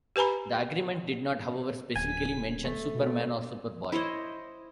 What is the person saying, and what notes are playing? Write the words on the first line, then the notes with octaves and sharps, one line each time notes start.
The agreement did not, however, specifically mention Superman or Superboy.
G4 B4 G#5 A#5 B5
D1 G#5
A3
B2
E4 C5 C#5 D#5